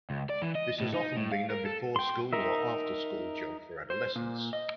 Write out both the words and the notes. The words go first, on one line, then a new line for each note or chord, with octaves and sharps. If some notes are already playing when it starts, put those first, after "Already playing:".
This has often been a before-school or after-school job for adolescents.
C#2
D5
E3
D#5
A2
D#4
A2
F5
A#4
A4
G5 C6
D#4 A#4 E5
C5
A#2
D#5